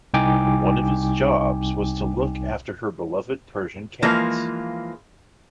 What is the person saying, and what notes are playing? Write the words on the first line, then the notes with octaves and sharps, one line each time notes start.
One of his jobs was to look after her beloved Persian cats.
C2 D#4 G5 G#5 D6
E3 F3 G#3 A#3 F4